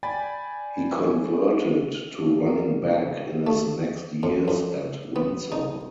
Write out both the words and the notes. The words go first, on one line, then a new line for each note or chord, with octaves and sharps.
He converted to running back in his next years at Windsor.
D5 G5 G#5 B5 A6
A#4
A3
F2
F2
B3
D#4